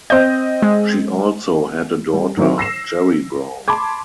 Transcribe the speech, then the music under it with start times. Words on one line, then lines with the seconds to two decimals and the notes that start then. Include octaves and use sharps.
She also had a daughter, Jeri Brown.
0.10 C4 C5 D#5 G6
0.62 G#3
2.13 G3
2.37 D#3 F#3 C4 E4
2.58 E6 A#6 C7 E7
3.68 A5 B5 C6 D6 G#6